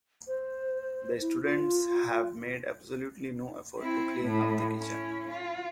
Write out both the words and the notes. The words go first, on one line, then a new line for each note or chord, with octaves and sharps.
The students have made absolutely no effort to clean up the kitchen.
C5
E4
F4
C4 E4
A2
C#4 E4
F4